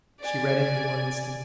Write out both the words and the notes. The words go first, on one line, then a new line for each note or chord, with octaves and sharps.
She read it in one instant.
D5 G#5